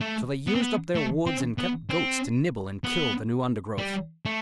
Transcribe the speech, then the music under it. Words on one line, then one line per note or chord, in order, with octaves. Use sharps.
So they used up their woods and kept goats to nibble and kill the new undergrowth.
A3
B3
C4
B3
A3
C4
B3
C4
B3
G3
A3